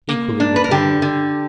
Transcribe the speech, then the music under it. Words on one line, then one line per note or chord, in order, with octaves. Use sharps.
Equally with the men.
A#3
D4
B4
A#4
D3 G4
D3